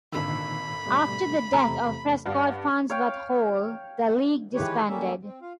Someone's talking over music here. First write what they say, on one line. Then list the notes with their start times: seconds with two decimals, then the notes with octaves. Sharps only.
After the death of Prescott Farnsworth Hall, the League disbanded.
0.13 G#1 A#2 D3 D#3 B5 E6
0.86 B2 G3 A3
1.53 E2 C3 A3 A#5
2.26 G2 D5 F5 F#5
2.90 C#5 F5 G5
4.55 D#3 E3 G#3 G4 B4 C#5
4.88 G3 A3 A#3 C#4 E5
5.23 C4
5.42 F4 F5